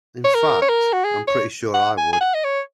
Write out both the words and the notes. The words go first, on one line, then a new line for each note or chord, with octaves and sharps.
In fact, I'm pretty sure I would.
C#5
A#4
C#5
A#4
F#4
G#4
C#5
F#5
G#5
G#5
F#5
D#5
C#5